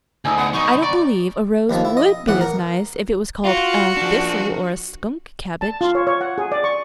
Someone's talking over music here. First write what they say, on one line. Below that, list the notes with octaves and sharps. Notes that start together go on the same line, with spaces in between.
I don't believe a rose WOULD be as nice if it was called a thistle or a skunk cabbage.
D2 D#4 G#5 E6
B3 F#5
B1 D#4 C#6
D5
D#2 D#3 F3
E4
D#5
E2 A2 E3 F#5
A#4
F4 F#4
F3 D4
A5
F4
C#5
C#5
F#5
G#4
D5
C#6